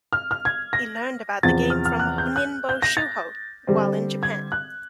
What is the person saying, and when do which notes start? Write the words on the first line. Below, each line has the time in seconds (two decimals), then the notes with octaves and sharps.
He learned about the game from Honinbo Shuho while in Japan.
0.13 F6
0.31 F6
0.45 G#6
0.73 A#6
1.43 E2 C3 F3 A6
1.70 F6
1.85 F6
1.99 F#6
2.18 G6
2.36 F#6
2.69 G6
2.82 A#6
2.97 A6
3.67 D3 G3 C4
4.23 G#6
4.52 F#6